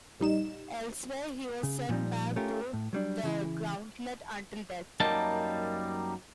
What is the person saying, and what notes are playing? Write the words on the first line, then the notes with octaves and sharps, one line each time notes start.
Elsewhere, he was sent back through the gauntlet until death.
A#1 G3 D#4 E7
C#3
A#2 F3 G3 D#4
A3 C#4 F4 G4 A#4
A2
F#3 G3 D4
C#3 E3 E4
F#2 G3 A#3 D#4 A5